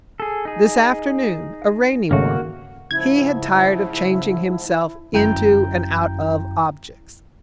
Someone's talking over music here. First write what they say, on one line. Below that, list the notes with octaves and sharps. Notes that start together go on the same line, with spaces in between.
This afternoon, a rainy one, he had tired of changing himself into and out of objects.
G#4 A4
D#4 G#4
G#1 C#3 A3 A#3 F#4
G#2 C#3 F3 E4 G#6
G1 F#2 E4 G5 A#5 G6